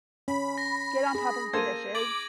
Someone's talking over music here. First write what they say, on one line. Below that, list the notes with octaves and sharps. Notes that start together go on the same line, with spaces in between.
get on top of the dishes,
C#4 B5
A#6
G#4
A#3 A4 C5 G#6 D#7
D6 A6 F#7